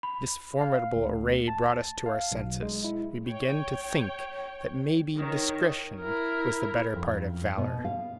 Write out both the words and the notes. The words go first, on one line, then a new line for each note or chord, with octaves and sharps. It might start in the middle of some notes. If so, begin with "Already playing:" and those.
This formidable array brought us to our senses: we began to think that maybe discretion was the better part of valor.
B5
F5
D2
A5
F5
B1
G#3
E4
C#5 G5
D#3 C#5
E4 A#4
F2
B2
F5